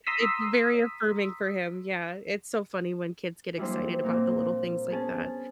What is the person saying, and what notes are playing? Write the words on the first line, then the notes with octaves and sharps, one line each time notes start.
It's very affirming for him. Yeah, it's so funny when kids get excited about the little things like that.
A#5 C6 D#6 E6 B6
E3 F#3 G3 A#3 D4 C5
A#2 A#3 C4
B3 C#4 G#4 A5